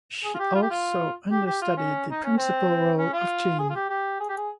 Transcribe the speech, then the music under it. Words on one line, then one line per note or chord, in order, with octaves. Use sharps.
She also understudied the principal role of Jean.
G#4
F4
G4
F4
G4
F4
G4
G4
F4
C#4
D#4
C#4
C4
C#4
F4
G#4
F4
G4
G4
G#4
G4
G#4